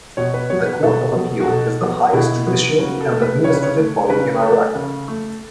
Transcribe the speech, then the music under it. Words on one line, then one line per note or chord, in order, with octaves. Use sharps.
The Court of Appeal is the highest judicial and administrative body in Iraq.
B2 C#5
B4
F#3 B3 C#5
B4
B2 A4
F#3 B3
F#4
B2 A4
F#3 B3
B2 E4
F#3 B3
C#3 F#4
A4
A3
B4
C#3 C#5
B4
C#5
A3
C#3 B4
A3 A4
C#3
A3